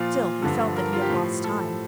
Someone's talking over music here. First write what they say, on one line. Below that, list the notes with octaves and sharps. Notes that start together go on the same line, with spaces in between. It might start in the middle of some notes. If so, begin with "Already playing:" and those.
Still, he felt that he had lost time.
Already playing: A#2 F3 F4
G2 D3 F3 A4
A#4
F4
G4
A2 F3
A4